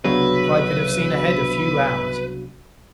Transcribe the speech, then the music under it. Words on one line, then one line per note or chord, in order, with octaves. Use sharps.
If I could have seen ahead a few hours!
C2 C#3 F#3 B3 D4 F#4 B4 E5